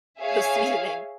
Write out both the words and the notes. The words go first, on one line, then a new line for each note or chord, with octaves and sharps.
the seasoning.
G#4 C#5 E5 F5